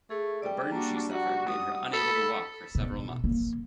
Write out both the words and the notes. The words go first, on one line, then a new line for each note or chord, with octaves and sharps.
The burns she suffered made her unable to walk for several months.
A3 G#4
G3 D5 G5
A#3 D4 F#4
F#4 F#5
D#6
A4 B5
B2
A#3